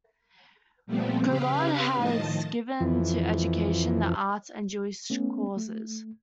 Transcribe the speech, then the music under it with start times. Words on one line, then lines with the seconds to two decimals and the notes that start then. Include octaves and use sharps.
Kogod has given to education, the arts, and Jewish causes.
0.86 A#2 F3 G3 A3 B3 C4
1.25 C#3 G4 B4 F5
1.95 A2 D#3 F3 D#5 A5
2.80 F2 E3
5.10 A3 B3 C#4
5.57 A3